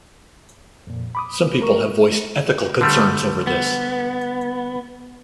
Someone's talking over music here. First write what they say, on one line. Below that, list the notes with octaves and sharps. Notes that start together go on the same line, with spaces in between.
Some people have voiced ethical concerns over this.
F2 A#2
B5 D6 D#6
A3 A#4 C#6
D3 G3 A3
B3